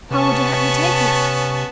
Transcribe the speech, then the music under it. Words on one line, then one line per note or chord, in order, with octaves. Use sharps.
How would you have me take it?
C3 B3 C#4 A5 C#6